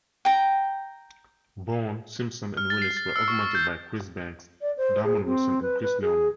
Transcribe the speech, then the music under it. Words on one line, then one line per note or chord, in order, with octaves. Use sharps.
Bourne, Simpson, and Willis were augmented by Chris Banks, Damon Wilson, and Chris Leonard.
G5 A#5
F6
A6
C7
A6
E6
C#6
C#6
G6
D5
C5
G#4
C4
B4
B4
G#4